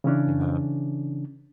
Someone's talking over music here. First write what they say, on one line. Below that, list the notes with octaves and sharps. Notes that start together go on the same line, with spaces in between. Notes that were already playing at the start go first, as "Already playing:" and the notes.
You have.
C#3 E3 C#4 D4